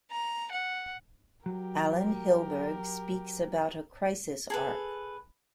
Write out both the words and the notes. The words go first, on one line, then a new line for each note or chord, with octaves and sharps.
Alan Hilburg speaks about a crisis arc.
A#5
F#5
F#3 G4 A#4
G#4 A4 B4